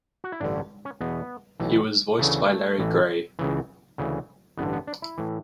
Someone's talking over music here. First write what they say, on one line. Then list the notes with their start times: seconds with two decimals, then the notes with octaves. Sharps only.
He was voiced by Larry Grey.
0.24 F#4
0.32 E4
0.40 A1 G2 D3 D4
0.56 C#4
0.85 C#4
1.01 E2 B2 B3
1.60 B1 A2 E3
2.19 D2 C#3 E3 A3
2.79 A1 A2 E3
3.39 C#2 C#3 E3
3.98 D2 C#3 E3
4.57 A1 G2 D3 B3
4.73 B3
4.87 D4
5.02 E4
5.18 A2 E3